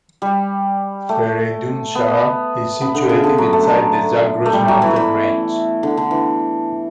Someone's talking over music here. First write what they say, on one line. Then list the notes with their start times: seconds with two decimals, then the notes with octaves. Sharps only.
Fereydunshahr is situated inside the Zagros mountain range.
0.22 G3
1.09 A3
1.95 B3
2.81 B3
2.95 D3
3.09 C#3
3.24 D3
3.38 F#3
3.53 A3
4.46 A3
4.53 G3
4.68 F#3
4.82 E3
4.96 E3
5.83 D3
5.97 D3
6.11 E3